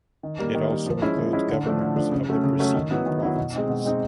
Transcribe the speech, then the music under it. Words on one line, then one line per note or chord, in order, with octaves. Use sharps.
It also includes governors of the preceding provinces.
D#3
G3 A#3
D#3
G3 A#3
F3
G#3 C#4 E4
F3
G#3 C#4 E4
D3
F3 A3 D4
D3
F3 A3 D4
C#3
F#3 A3 C#4
C#3
F#3 A3 C#4
D#3
F#3 B3 E4
D#3
F#3 B3 E4
B2
G#3 C4 D#4
B2
G#3 C4 D#4